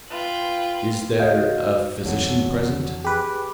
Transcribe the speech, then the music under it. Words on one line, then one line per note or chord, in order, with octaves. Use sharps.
"Is there a physician present?"
F4 B4 G5
C#2 F#4 D#5 F5 G6
F2 D3 E3 F#3 C4
G4 G#4 B4 D6